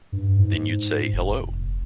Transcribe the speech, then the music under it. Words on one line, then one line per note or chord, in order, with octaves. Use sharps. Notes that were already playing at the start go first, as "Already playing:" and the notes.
Then you'd say, 'Hello!'
G2
G#2
F1